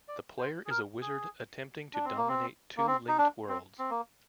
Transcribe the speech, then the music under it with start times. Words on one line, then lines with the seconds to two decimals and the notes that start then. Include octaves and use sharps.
The player is a wizard attempting to dominate two linked worlds.
0.08 D5
0.39 C5
0.66 G#4
0.70 A#4
1.01 G#4
1.94 D4
2.05 C4
2.17 A#3
2.29 C4
2.77 A#3
2.87 C4
3.08 D#4
3.18 D4
3.49 C4
3.79 C4
3.90 A#3